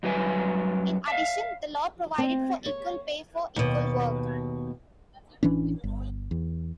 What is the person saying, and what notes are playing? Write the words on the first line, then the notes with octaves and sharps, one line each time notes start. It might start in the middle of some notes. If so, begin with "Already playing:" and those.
In addition, the law provided for equal pay for equal work.
F#2 F#3 G3 B4 E5 G#5
E5 F5
C4
C#5
D#2 B2
A1 E3 C#4 D4
G1
E2